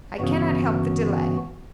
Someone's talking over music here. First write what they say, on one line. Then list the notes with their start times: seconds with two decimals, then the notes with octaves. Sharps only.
"I cannot help the delay."
0.19 G1 C#3 E3 B3 F#4